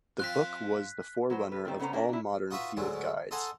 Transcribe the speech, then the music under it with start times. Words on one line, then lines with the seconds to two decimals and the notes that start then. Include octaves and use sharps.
The book was the forerunner of all modern field guides.
0.20 F3 C4 F4 F#6 B6
1.30 F#3 B4 C5
1.52 B4
1.65 D#3 G3 A3 C4
1.79 C#3 B3 C#4 C5 A#5
1.93 A#3 C#4 D4 F4 G#4 A#4
2.09 D4 E4
2.51 D#4 F4 F#4 B4 E5
2.77 D2 G#2 F#3 G#3 A3
3.31 D#4 A4 C5 F#5 G#5 A#5